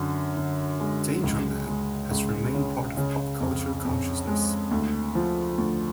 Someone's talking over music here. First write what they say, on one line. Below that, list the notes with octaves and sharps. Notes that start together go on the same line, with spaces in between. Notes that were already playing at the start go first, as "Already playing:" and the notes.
"Danger Man" has remained part of pop culture consciousness.
Already playing: F#2 D3
D3
G#3
C#2
G#3
C#2
C#3
C#3
F2
F2
G#3
D2
F3
D2